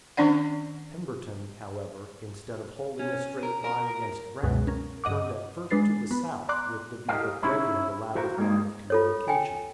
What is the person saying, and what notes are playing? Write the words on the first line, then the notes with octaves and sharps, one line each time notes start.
Pemberton, however, instead of holding a straight line against Grant, turned at first to the south, with the view of breaking the latter's line of communication.
D#3 C#4 D4 D5 F#5
C#4
A#4
A#4
C#2 F#2 B2 G#3
C#4 A#4
G2 D#5 F#5 D6
G#3 D4 B4 A6 C7
B3 B4 B5
D5 A#5 C6 D6 F#6
G4 A#4 C5 D#5 F5
C#4 D#4 E4 C#5
F#4 A#4 C5 F5 A#5
G3 G#3 A#3 D#4 G#4
F4 A4 C#5
G5 G#5